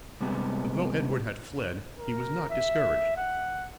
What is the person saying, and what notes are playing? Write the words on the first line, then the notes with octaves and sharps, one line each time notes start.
But though Edward had fled, he was not discouraged.
C3 G3 G#3 B3 C4
A#4
E5
F#5